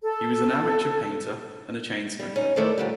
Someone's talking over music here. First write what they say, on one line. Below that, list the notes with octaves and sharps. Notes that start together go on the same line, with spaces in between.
He was an amateur painter and a chain smoker.
A4
G3
C#4 D#4
D#3 A3 E4 A4 C5 D5
A#2 D3 G3